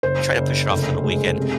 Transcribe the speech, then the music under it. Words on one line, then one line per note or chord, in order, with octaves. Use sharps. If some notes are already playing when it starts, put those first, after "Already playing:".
I try to push it off to the weekend,
F#1 C5
F#1
F1
G#3
C3